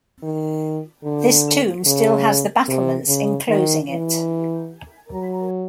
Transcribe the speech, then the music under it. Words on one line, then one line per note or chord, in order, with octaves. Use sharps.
This tomb still has the battlements enclosing it.
D#3
D3
C#3
C3
C#3
D#3
E3
F#3